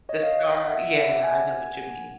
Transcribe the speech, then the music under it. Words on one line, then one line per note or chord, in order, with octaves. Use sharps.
the star Yeah, I know what you mean.
C#5 D#5
D#5 F5
E5 F#5
E5 F#5
D5 E5
F#5 G#5